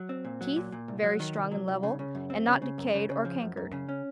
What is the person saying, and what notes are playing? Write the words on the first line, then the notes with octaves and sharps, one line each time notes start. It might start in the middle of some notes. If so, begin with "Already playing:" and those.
TEETH--Very strong and level, and not decayed or cankered.
Already playing: F#3
C4
A#2
F#3
A#2
A#2
C2
F#3
D#3
C2
F#3
C2
C#3
C#3
F#2
C4
C#3
C#3
F#2
C#3
C#3
F3
F#2
F#2
C#3
C#4